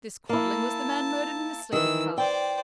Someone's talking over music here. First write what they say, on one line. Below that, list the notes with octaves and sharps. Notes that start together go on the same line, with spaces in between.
This Quadling was the man murdered in the sleeping-car.
A#3 E4 A5
D#3 E3 E6
C5 D5 G5